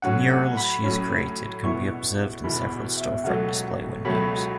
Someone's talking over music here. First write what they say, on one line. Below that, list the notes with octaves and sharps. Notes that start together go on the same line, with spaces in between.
The murals she has created can be observed in several storefront display windows.
A2 F#3 C#4 F#5
F#5
B5
A2 F#3 C#4
E2 B2 B3 E4 C#6
E2 B2 B3 E4 B5
E5
C#2 B2 F#3 A3 F#5
C#2 B2 F#3 A3 B5